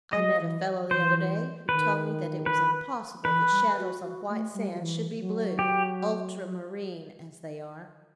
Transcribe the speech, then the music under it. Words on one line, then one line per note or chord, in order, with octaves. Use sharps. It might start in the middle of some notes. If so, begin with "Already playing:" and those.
I met a fellow the other day who told me that it was impossible that shadows on white sand should be blue,--ultramarine,--as they are.
F#3 D#5
E3
E3 C5
D#3 B4
B4
E3 B4
G3
F#4
F#4
A3
G3
F#3
E3
E3
F#3
G4